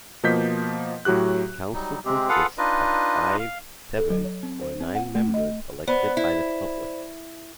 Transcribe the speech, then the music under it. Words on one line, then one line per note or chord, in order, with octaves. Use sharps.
The council consists of five, seven, or nine members elected by the public.
B2 F3 A#3 D#5 G6 B6
A2 F#3 F#4 G4 F#6
F#3 G3 D#4
C3 G#3 C4 G4
F4 G#4 A4 B4 F5 F#5
D4 D#4 F4 B4 D#5
F5
A4
F#3
C#5
C4
C5
C4
F#5
A3
D#5
B3 C5 D5 B5
E4